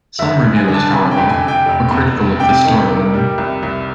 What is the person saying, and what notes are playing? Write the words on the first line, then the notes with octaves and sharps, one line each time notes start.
Some reviewers, however, were critical of the storyline.
F#1 E5
F#1
G#5
D3
A5
C3 G#5
G5
F2
G#5
F2
G5
F1
E2
F1
C3 G5
D#3
D#3
G3
C2
C2